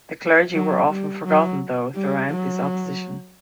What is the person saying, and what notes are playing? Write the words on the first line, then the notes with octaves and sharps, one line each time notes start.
The clergy were often forgotten though throughout this opposition.
F#3
G3
F#3
G3
F#3